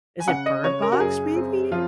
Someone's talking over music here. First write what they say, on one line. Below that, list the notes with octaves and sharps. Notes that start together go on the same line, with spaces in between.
Is it Bird Box maybe?
G#5
C#3 F#5
D#5
C#3 C#5
A#4
F#4
F#2 G#4
C4
F3 F4